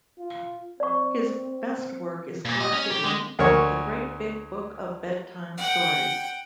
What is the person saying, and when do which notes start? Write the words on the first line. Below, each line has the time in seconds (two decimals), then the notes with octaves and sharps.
His best work is collected in "The Great Big Book of Bedtime Stories".
0.19 F4
0.80 C4 D5 C#6
2.45 A#2
2.60 D#5
2.72 C#4
2.91 G4
3.04 G#3
3.39 D2 A#4 C#5 C#6
5.57 F#5 G5